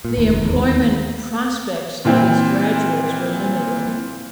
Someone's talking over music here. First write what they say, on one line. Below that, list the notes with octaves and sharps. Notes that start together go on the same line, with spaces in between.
The employment prospects of its graduates were limited.
A#2
F1 D#2
E2 G#2
D#2
A#2 E3 C4